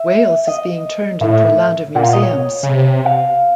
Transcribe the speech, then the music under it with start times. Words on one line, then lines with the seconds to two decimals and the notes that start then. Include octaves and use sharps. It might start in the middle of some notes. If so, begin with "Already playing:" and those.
Wales is being turned into a land of museums!
Already playing: E5
0.47 D#5
1.21 A2 E5
1.95 A#2 F#5
2.03 F5
2.13 D#5
2.22 C#5
2.63 C#3
2.68 C3
3.05 F5